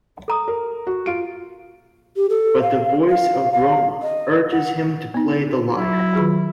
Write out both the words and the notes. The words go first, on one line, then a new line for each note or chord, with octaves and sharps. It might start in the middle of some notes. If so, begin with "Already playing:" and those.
But the voice of Groma urges him to play the lyre.
A4 A#5 D#6
A#4
F#4
F4 D7
G4
A4
F5
F5
F5
D#5
F#5
B3 D#4
F#3 E4
D#3 F4 G#4